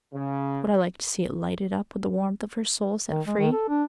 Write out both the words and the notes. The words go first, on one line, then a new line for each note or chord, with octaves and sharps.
Would I like to see it lighted up with the warmth of her soul set free?
C#3
D#3
G#3
D#3
A4
D4